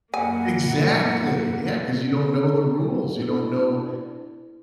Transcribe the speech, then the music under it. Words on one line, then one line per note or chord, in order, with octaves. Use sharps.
Exactly! Yeah, 'cause you don't know the rules. You don't know
F#2 A#2 A#3 E4 F#5 G#5
D4 E4 A4